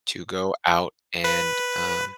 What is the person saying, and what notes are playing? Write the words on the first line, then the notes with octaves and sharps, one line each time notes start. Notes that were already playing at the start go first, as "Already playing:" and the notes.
to go out and, um,
B4